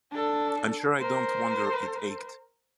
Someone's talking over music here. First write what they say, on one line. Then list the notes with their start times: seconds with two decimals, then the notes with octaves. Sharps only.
I'm sure I don't wonder it ached.
0.11 D4 A4
0.99 A#4 C5